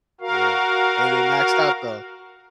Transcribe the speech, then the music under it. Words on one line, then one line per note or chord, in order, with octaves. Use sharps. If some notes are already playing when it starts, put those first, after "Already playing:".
Yeah, and they maxed out, though.
F#4 A#4 F5